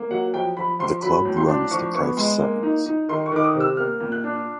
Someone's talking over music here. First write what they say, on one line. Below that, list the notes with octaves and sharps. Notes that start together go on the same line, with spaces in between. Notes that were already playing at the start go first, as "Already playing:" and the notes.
The club runs the Crieff Sevens.
Already playing: A#3
F#3 F#5
F3 G5
F3 B5
F3 C6
F#3 B5
A2
C6
D4
F3 C#6
B3 C#6
G#3 C6
A#3
D#4
D#4
D#3 C6
C#6
D#3 D6
D#6
C3
E6
A#3 F6
A#2
F#6
D4